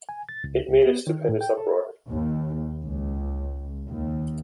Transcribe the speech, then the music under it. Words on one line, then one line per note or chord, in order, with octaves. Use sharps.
It made a stupendous uproar.
G#5
A6
C#2
C#2
B3
D#3
A2
G5
A4
D#2
C#2
D#2